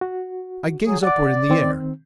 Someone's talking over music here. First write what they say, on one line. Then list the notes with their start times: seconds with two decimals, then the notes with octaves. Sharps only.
I gaze upward in the air.
0.01 F#4
0.86 F#3 G#4
1.03 D5 F#5 D6
1.50 D#3 C4